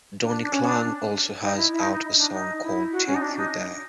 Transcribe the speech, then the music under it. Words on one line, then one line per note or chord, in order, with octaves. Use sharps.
Donnie Klang also has out a song called "Take You There".
D4
D4
C#4
C#4
D4
D#4
E4
E4
D#4
D#4
D4
D#4
E4
F#4
C#4
D#4
D4
D#4